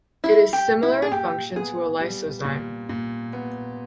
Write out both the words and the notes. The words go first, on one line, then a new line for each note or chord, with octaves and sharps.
It is similar in function to a lysozyme.
G3 E4
G4
A#2
E4
G#4
A#2 G4
B3 G#4
G3
A#2
A#2
B3